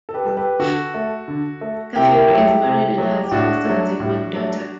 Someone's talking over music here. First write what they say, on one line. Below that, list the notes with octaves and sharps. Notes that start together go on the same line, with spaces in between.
Cafiero is married and has four sons and one daughter.
A4
G4 B4
G3 A4
G4 B4
D3 F#4 A4
A3
D3
A3
C3 E4 G4
F#3
A3
C3
F#3 A3
G4
A2 D4 F#4
F#3 A3
A2
F#3 A3